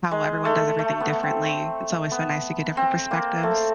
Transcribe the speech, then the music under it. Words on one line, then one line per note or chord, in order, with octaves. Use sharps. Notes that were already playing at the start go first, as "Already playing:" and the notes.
how everyone does everything differently. It's always so nice to get different perspectives.
G#3
A3
A3
B3
C4
B3
C4
A#3
A3